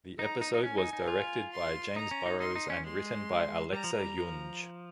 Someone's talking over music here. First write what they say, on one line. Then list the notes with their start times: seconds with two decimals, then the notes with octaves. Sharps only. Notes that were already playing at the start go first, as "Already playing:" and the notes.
The episode was directed by James Burrows and written by Alexa Junge.
0.19 D#4 A#5
0.41 D#4
0.54 D#4
0.63 C#4 G#5
0.78 D#4
0.93 D#4
1.08 F4
1.52 C6
1.96 D#4 A#5
2.11 C#4
2.26 D#4
2.40 D#4 C6
2.56 D#4
2.70 C#4
2.84 G#3 C6
3.73 G3 A#5
3.84 F3
3.94 G3
4.17 F3